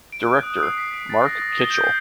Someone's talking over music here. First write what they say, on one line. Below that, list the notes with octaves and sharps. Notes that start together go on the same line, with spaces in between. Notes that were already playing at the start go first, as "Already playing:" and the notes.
Director, Mark Kitchell.
D7
F#6
D#6
C7
B6
D7
A6
A#6
D#6
G7
G6
C7